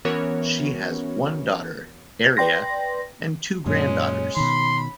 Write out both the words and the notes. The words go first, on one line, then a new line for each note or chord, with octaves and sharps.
She has one daughter, Area, and two granddaughters.
E3 B3 C#4 F#4 A#4 C#5
B4 D5 G5 C6 A#6
F#2 A#2 G#3 C#4
B2 D#3 B5 C6